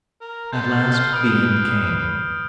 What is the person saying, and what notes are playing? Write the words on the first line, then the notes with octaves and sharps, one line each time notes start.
At last the end came.
A#4
A4 C6 G6
F6 G6
F6 G6 C7
B4 D#6 F6 D7